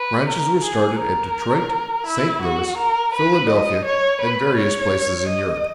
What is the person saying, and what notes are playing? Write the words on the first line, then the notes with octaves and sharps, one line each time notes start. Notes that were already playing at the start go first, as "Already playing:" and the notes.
Branches were started at Detroit, St. Louis, Philadelphia, and various places in Europe.
Already playing: B4
A#4
G#4
A#4
E4
F#4
A#4
B4
D#5
C#5
B4
C#5
D#5